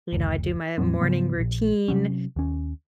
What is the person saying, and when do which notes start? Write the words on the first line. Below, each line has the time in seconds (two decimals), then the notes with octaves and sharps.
you know, I do my morning routine,
0.13 F#1 D2
0.78 E2 A2 F#3 C4
1.01 G#2 C#3 F#3 B3
1.35 D#1 A#1
1.88 C3 F#3 C#4
2.36 D#2 C#4